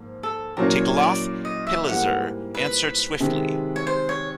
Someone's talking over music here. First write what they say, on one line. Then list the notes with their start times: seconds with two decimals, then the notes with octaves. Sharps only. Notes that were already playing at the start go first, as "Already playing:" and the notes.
Tiglath-Pileser answered swiftly.
Already playing: G#2 F3 A#3
0.23 A4
0.57 A#2 F#3 A#3 C#4 E4 A#4
0.78 C#5
0.97 C#5
1.01 D5
1.45 D#5
1.67 E5
1.89 G#2 E3 G3 A#3 F#5
2.55 B4
3.20 C3 D#3 G#3
3.76 C#5
3.87 C5
4.09 C#5